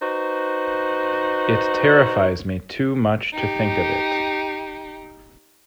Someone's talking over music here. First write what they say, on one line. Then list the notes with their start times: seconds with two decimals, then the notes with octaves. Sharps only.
It terrifies me too much to think of it.
0.02 D#4 F#4 B4 C5
3.33 D#4 G4